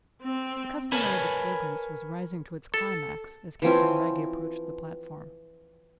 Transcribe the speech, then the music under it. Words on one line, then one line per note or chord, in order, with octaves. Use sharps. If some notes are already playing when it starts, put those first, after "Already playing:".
The customary disturbance was rising to its climax as Captain Wragge approached the platform.
C4
A#4 B4 C#5 G#5 A5 B5
A4
E3 F3 C4 C#4